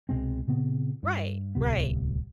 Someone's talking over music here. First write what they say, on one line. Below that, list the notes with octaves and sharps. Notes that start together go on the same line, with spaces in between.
Right right,
C2 B2 G#3 C4
A#2 C#3 B3 C4
G2
D1 C2 C3 B3